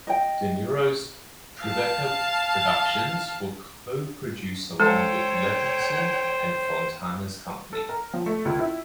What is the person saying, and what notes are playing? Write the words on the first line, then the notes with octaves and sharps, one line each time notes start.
De Niro's Tribeca Productions will co-produce along with Levinson and Fontana's company.
D#5 G5
F5 A5
G#3 A4 C5 C#5 G5
A4
A#4
F3
A3
C#2
E4